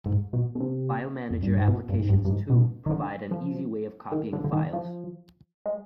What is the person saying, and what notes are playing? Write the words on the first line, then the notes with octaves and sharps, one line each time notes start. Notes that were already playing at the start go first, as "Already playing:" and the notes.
File manager applications, too, provide an easy way of copying files.
G#2
B2
B2
C3
F2
G2
G#2
B2
G2
G#2
G2
G2
G#2
B2
D#3
D3
F3
D#3
D3
D3
D#3
F3
G#3